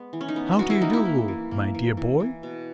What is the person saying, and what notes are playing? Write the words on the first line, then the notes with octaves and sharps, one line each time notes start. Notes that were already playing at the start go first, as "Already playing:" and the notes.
How do you do, my dear boy?
Already playing: G#3 B3
E3
C#4
D#4
B3
E3 F#4
E4
A#3 D#4
E4
A#3
E3
A#3
E3
E3
E3
B2